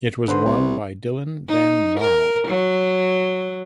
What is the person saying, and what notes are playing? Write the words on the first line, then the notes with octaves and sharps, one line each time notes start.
It was won by Dylan van Baarle.
D3 B4 C5 C6
C2
D#4
A#4
F#3